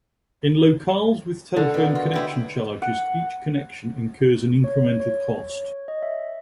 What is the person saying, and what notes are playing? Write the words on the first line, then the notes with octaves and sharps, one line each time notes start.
In locales with telephone connection charges, each connection incurs an incremental cost.
D3 F#4
B2 A#3
F4
G#3 E4 G4
F#5
C#5
C#5
C#5
D#5
E5